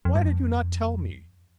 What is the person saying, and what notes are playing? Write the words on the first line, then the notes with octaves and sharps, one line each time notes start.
"Why did you not tell me?"
F2
G2
F2